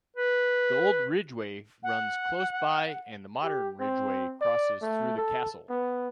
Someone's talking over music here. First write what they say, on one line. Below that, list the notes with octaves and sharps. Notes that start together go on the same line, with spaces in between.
The Old Ridgeway runs close by and the modern Ridgeway crosses through the castle.
B4
F#5
G4
C4
D5
A3
A4
B3